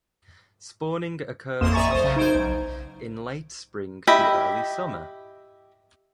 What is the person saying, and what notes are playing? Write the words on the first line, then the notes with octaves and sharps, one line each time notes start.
Spawning occurs offshore, in late spring to early summer.
A1 F2 A#3 C6 D#6 E7
D5 E5 G#5 A#5 C#6 A6
B1 C5 D#6
C#3
D#4 C5 G#6 D7
B1
E4 G4 D#5